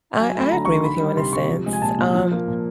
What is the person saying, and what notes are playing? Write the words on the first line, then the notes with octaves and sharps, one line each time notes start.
I I agree with you in a sense, um,
F#3 G#5
A3 B5
D3 A#5
D3 C#6
C6
D#3 B5
G3
C3 C6
C3 C#6
F3
G#3
G#5
A#2 A5
A#2
F3
A#3
A#2